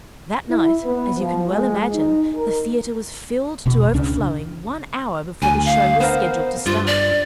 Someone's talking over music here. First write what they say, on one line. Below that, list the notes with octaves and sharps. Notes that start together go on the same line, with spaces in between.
That night, as you can well imagine, the theater was filled to overflowing one hour before the show was scheduled to start.
E4
B3
F3
G#3
D#4
A#4
E1 B2
C#2 C#3 D4
D2 G#5
F5
B3 A#4 C5
G2 F4
D5